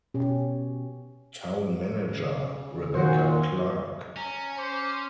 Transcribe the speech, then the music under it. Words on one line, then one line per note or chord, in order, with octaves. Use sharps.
Town Manager: Rebecca Clark.
B2 C#4 G4
C#3
A#2 D#3 F#4 C5
C#4 A#5
C5 D6